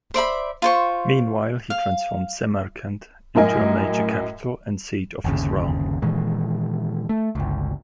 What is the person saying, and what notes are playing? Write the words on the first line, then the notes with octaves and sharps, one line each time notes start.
Meanwhile, he transformed Samarkand into a major capital and seat of his realm.
C5 D5 E5 B5
F4 C5 C#6
F5
F#2 A2 A#4 D#5 G#5
G1 D#2 C#3
A#2 D#3 E3 G#3
A3
G1 C#2